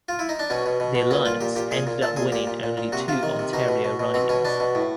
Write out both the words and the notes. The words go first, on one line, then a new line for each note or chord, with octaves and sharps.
The Alliance ended up winning only two Ontario ridings.
F4
E4
D#4
D4
B2 C#4
B2
B2
B2
A#2 C#4
A#2 F4
A#2 G4
A#2 G4
A#2 G#4
A#2
A#2 A4
A#2 G#4
A#2 G4
A#2
A#2
A#2
C3 F#4
C3 F4
D#3
C3
B2 D#4
B2
B2
B2
B2 C4
B2 C#4
B2 D4
B2
A2